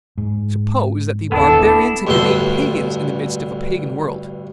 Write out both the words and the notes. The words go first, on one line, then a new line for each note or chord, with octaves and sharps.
Suppose that the Barbarians had remained Pagans in the midst of a Pagan world.
G#2
D#1 B3 D4 E4 A4
A1 D2 G2 B3 A4 C6